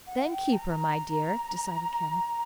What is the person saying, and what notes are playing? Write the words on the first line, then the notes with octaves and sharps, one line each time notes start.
"Then keep her, my dear," decided Kenneth.
F#5
G5
A#5
A#5